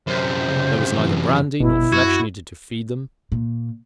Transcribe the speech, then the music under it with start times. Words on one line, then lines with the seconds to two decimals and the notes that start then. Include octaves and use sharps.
There was neither brandy nor flesh needed to feed them.
0.07 F#2 C3 C5
0.48 C#3
0.97 E3
1.60 G1 B2 E4
1.92 F#2 F#4 G#6
3.32 A#2